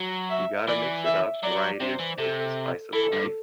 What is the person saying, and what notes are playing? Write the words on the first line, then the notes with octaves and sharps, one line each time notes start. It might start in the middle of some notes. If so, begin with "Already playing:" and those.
you gotta mix it up, variety is is the spice of life,
Already playing: F#3
E5
E3 D5
E5
F#3 D5
C3 C5
E3
C3 A4
E3 A4
G2